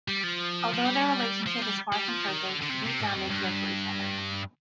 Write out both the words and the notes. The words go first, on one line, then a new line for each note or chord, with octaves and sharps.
Although their relationship is far from perfect, deep down they care for each other.
G3
F3
F3
G3
F3
G3
G3
F3
D#3
D3
D3
C3
C3
G#2
F2
G2